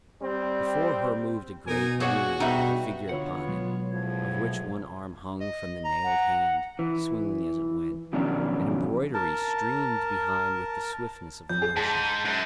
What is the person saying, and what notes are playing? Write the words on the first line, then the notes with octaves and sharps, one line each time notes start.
Before her moved a great rood, with a figure upon it, of which one arm hung from the nailed hand, swinging as it went; an embroidery streamed behind with the swiftness of the motion.
G3 C4
B2 D#4 A#4 G#5
A#2 F#4 G#4 C#5 F#5
B2 G3 D#4 E5
D3 B3 F4 B4 C#5 F#5
B2 F#3 G#3
E2 A2 F3 G#6
D#5
A#5
F#5
E3
F2 B2 D#3 F#3 C#4 D4
A#4 A5
F2 G6
G#4
G#2 A5 B6
D#7
F#2 F#6 D7